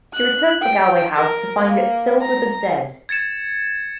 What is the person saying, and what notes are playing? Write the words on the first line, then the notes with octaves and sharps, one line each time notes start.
She returns to Galweigh House to find it filled with the dead.
F#6
G5
A#4
A#3
A#5
G#6 A6 C#7 E7